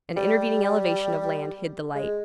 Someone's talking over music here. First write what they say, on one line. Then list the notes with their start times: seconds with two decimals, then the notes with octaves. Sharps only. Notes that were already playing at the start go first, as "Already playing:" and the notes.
An intervening elevation of land hid the light.
0.17 G3
1.95 G#3